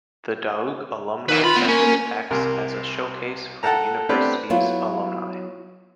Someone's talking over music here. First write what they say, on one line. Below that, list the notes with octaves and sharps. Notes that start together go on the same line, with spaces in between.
The Dauch Alumni Center acts as a showcase for the university's alumni.
D#3 E4 B4
F4 B5
B3 C4
A#3 C#4
A#3
C2 C3 A#4 G#5
A4 F#5 G5 A5 A#5
A3 B3 C4 D4 G4 B4
F#3 B3 E4 F4